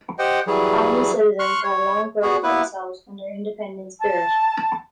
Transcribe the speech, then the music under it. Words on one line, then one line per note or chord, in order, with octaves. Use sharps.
Pownal citizens have long prided themselves on their independent spirit.
G4 C5 D#5 F#5 G5
E3 F#3 G3 G#4
C6 C#6 F6 F#6
C#5
B3 F#4 G#4
A#3 B3 E4 B4
A5